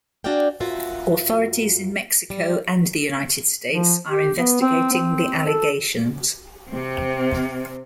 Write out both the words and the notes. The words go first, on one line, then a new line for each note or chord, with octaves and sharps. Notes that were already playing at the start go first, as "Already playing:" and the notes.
Authorities in Mexico and the United States are investigating the allegations.
D4 F#4 G#4 D5 F5 G5
F#2 F4 F#4 A#4 E5
G3
F3
G4
B3
C4
C4
A4
C3 C4